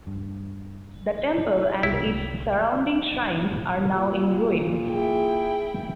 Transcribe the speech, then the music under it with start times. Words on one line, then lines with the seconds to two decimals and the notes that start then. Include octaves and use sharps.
The temple and its surrounding shrines are now in ruins.
0.07 G2
1.83 C2 B2 E4
3.97 A#2
4.89 E4 G#4 G5